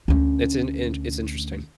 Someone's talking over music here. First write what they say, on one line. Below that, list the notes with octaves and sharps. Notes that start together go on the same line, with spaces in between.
It's an int it's interesting.
D2 C#4